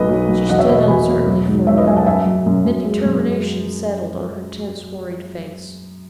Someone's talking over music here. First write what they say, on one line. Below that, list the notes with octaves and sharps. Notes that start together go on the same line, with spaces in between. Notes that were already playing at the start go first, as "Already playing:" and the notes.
She stood uncertainly for a moment, then determination settled on her tense worried face.
Already playing: B1 A2 B4 D#5
F#3
F#3
E1 D#5 F#5
C#5 E5
B2 B4 D#5
C#5
E2 G#5 B5
B2
F#3
G#2
G#2 C#5 E5
B4 D#5
F#3 E5 G#5
F#5 A5
F#2 E5 G#5
F#3
F#2
F#2
G#3
F#2